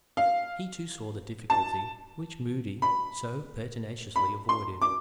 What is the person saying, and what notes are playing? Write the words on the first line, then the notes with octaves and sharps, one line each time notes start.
He too saw the difficulty which Moody so pertinaciously avoided.
F5
A5
B5
B5
C6
D6